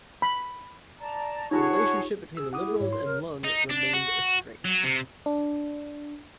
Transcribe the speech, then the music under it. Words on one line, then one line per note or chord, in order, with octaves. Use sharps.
The relationship between the Liberals and Leung remained estranged.
B5
D5 A5 A#5
D#4 F4 G4 G#4 C#5 F#5 A5
G#4 E6
E4 F#5 D6 D#6
G#4
G#2 C#5
C6
A#4
D#4
D4
F#4
F#3
C3
D4